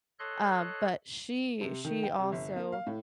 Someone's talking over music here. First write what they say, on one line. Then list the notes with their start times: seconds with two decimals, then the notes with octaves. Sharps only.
uh, but she she also
0.19 A4 C#5 D#5 C6 F#6
1.61 C3
1.85 D#3
2.03 G5
2.19 C3
2.32 G1
2.56 A#3
2.72 F5
2.87 A2